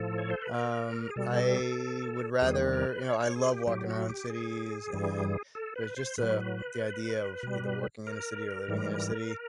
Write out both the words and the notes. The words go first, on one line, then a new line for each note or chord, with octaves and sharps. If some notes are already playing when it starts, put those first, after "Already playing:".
um, I would rather you know, I love walking around cities, and there's just a the idea of either working in a city or living in a city
Already playing: A2 F3 A4
C#5
C5
B4
A#4
G#4
B2 G3 A4
E2 C3 D#3 G3 G#4
A#4
B4
C#5
C#5
G#4
G4
A2 F#3 G4
F#4
G4
G#4
G2 E3 G3
A4
B4
C5
A2 F#3 B4
B2 G3
A#4
G#2 E3 G3